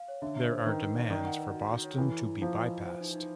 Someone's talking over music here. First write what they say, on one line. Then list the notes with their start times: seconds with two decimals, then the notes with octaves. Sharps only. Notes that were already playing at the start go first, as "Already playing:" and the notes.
There are demands for Boston to be bypassed.
Already playing: F5
0.08 C#5
0.22 D3 E5
0.37 E5
0.51 C5
0.66 D#3 B4
0.81 B4
0.96 D5
1.10 D#3 D5
1.25 F#5
1.40 B4
1.53 F#4
1.69 F#4
1.84 C#5
1.97 E3 A4
2.13 E4
2.26 E4
2.41 F3 A#5
2.56 D#5
2.71 B4
2.85 C5
3.00 D#4
3.15 D#4